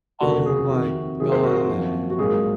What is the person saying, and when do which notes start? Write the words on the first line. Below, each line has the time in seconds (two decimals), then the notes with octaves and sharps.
Oh my god!
0.21 F1 D#2 C#3 F#3 A#3 F#4 A#4
0.46 G#4
0.70 F2 C3 D#3 F#4
1.20 F2 C3 D#3 F#3 A#3 G#4
1.32 G#4 C5
1.44 F#4 A#4
1.57 F#4
1.69 G#1 F#2 F3 A#3
2.10 F#4
2.18 A#1 G#2 F#3 A#3 G#4